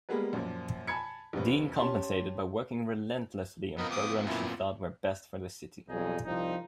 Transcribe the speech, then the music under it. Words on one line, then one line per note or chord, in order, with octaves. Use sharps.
Dean compensated by working relentlessly on programs she thought were best for the city.
G3 G#3 A#3 B3 G#4 B4
F#2 A#2 F3
G#5 A5 B5 G#6 C#7
A#1 D#2 C3 B4
C#4 G4 A5 C6
B3 C4 F4 A#4 D#5 B5
D6 D#6
F#2 A#2 E4
B1 F2 G3 D#4 G#4
C2 F3 C4 D#4